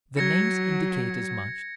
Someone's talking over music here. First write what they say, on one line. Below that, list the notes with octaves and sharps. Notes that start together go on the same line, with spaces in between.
The names indicate as much.
F#3 G#6 A#6 C#7